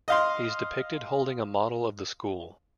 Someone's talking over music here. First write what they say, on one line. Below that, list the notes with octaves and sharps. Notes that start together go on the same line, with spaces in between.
He is depicted holding a model of the school.
D#5 F5 C6